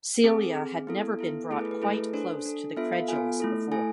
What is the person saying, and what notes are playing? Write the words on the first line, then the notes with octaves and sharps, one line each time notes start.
Celia had never been brought quite close to the credulous before.
C4 G#4 A4
C4 G#4
B3 E4 A4
B3 E4 A4
A3 E4 G#4 A4
B4
B4
A3 E4 G#4 A4
B4
D4 A4 C5
D4 A4
B3 F4 A4 E5
F5
B3 F4 A4 G#5
A3 E4 A4
A3 E4 A4 G#5